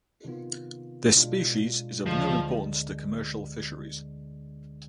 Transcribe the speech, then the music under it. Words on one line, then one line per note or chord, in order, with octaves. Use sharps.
This species is of no importance to commercial fisheries.
C3 D#3 B3 F4
B2 G#3 D4 F4
D2 D3 F3 G#3 D4